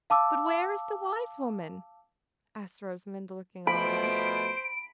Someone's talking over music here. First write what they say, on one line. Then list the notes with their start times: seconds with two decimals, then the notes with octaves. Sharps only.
"But where is the wise woman?" asked Rosamond, looking all about.
0.10 F5 A5 D6 E6
3.67 B2 F3 A3 C5 B5 D7